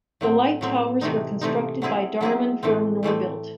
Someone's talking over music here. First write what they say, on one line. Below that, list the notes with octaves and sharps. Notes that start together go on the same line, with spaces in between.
The light towers were constructed by Darwin firm Norbuilt.
A2 F#3 C4
A2 F#3 C4
C3 E3 A3 C4 D#4
C3 E3 A3 C4 D#4
F#3 C4 E4 G#4
F#3 C4 E4 G#4
A2 E3 A3 C4
A2 E3 A3 C4